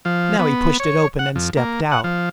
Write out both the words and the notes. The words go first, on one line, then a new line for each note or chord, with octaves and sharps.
Now he pushed it open and stepped out.
F3
B3
C#5
F#5
F2
A#3
F#5
F3